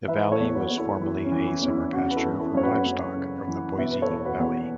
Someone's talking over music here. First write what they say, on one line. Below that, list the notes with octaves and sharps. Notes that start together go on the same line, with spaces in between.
The valley was formerly a summer pasture for livestock from the Boise Valley.
E3 B4 E5
A4 C#5
E2
F#4 B4
E2
E4 A4
E3 E4
C#4
E3
E4
E2 C#4
E4
C#3 C#4 F#4
B4
E4 A4
E3
E4 A4
F#2 C#5
F#4 B4
F#2
C#3
E3
B2 B4 E5
B4
A4 C#5
E2
F#4 B4
E2